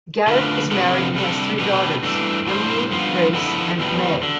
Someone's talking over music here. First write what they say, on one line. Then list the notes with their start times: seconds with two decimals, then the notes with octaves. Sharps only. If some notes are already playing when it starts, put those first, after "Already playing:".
Garrett is married and has three daughters, Emily, Grace, and May.
0.27 D3 A3 D4 F4 B4
0.71 C3 F3 B3 D4 A4
1.15 C3 G3 D4 A4
1.59 B2 A3 D4 G4 B4
2.03 G2 E3 A3 D4
2.47 A2 G3 D4 G4 C5
2.91 G2 F3 B3 F4
3.35 D3 F3 B3 E4 A4
3.79 E2 B2 G3
4.23 D3